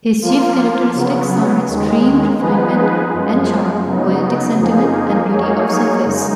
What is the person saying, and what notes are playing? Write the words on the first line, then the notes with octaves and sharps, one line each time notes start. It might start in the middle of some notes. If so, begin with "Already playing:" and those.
His chief characteristics are extreme refinement and charm, poetic sentiment, and beauty of surface.
F3 A#3 F4
C#3 F#3 B3
D#2 D#3 G#3
F3 B3 D#4 G#4 B4
F#2 F3 G#3
C#3 F#3 B3 D#4
F2 F3 A#3 D#4 G#4
F#3 A#3 D#4 G#4 C#5
F#2 C#3 G#3 D#4